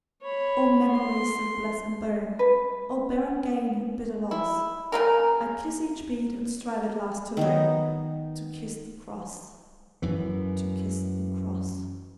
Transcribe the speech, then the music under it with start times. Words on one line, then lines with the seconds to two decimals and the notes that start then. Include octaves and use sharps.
"O memories that bless and burn! O barren gain and bitter loss! I kiss each bead, and strive at last to learn To kiss the cross ... to kiss the cross."
0.22 C#5 B5
0.92 C6
2.39 B4
4.31 E4
4.92 C#3 A#3 A#4
7.37 D#3 B3 D#4
10.02 F#2 E3